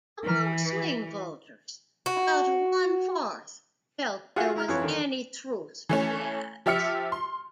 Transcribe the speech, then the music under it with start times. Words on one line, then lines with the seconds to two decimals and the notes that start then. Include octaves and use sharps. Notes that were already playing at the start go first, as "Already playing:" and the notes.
Among swing voters, about one-fourth felt there was any truth to the ads.
0.24 E3
2.06 F#4
4.36 F4 F#4 G#4 E5 F#5 G#5
4.56 E4 A#5 F6
4.68 F2 E3 C#5
4.83 D3 D#3
5.89 E3 A3 C#4
6.66 F3 G4 E5 F6 C#7
7.12 C6